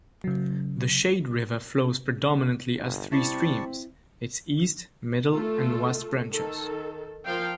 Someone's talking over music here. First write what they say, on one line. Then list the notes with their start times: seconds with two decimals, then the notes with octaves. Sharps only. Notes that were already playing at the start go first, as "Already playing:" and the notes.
The Shade River flows predominantly as three streams, its east, middle, and west branches.
0.24 C#3 F#3
2.76 G1
3.12 G3 C4 E4 A5 C#6
5.33 A3 F4 A4
6.31 D#3 A4
7.25 F3 A#4 F5 G5